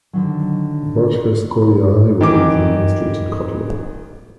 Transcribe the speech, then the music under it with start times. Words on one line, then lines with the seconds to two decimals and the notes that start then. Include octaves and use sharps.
Varshavskoye highway is the main street in Kotly.
0.13 D3 D#3 F#3
2.21 D#3 E3 D6